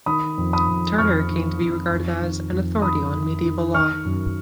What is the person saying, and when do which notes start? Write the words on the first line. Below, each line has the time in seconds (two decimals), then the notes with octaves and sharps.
Turner came to be regarded as an "authority on medieval law".
0.06 D#3 B5 D#6
0.38 F2
0.53 B5 D#6
0.68 F2
0.98 F2 C#6 F6
1.29 D#3
1.60 F2
1.91 F2
2.22 D#3
2.51 F2
2.82 D#3 B5 D#6
3.13 D#3
3.44 D#3
3.74 D#3 C#6 F6
4.05 F#2